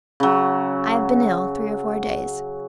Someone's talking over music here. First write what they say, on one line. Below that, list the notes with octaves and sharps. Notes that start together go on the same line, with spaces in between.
I have been ill three or four days.
C#3 F#3